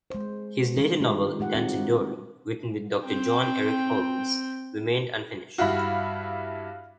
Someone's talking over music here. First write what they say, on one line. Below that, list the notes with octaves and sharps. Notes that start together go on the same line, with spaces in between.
His later novel "Danton Doring", written with Doctor John Eric Holmes, remained unfinished.
G#3 C5
D#3 G3 C4
G#3 D#4 F4 G4
G#3 G4 F#5
C4 D#4 F4 F#4
C4 G5
G2 E4 F#4 F5 B5